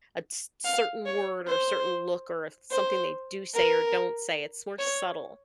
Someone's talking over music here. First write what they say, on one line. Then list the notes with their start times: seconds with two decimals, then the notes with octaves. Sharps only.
a c c certain word, or a certain look, or a something they do say, or don't say, it's more subtle.
0.65 F5
1.06 C#5
1.47 C5
2.71 C5
3.55 A#4
4.79 C#5